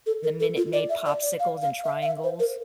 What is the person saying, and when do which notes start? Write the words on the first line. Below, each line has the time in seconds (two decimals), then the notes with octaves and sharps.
and the Minute Maid popsicles and triangles.
0.06 A4
0.24 A#4
0.40 A4
0.57 F4
0.73 D5
0.89 E5
1.06 D5
1.23 D5
1.40 F5
1.62 F5
1.84 E5
2.02 F5
2.06 E5
2.24 C5
2.40 A#4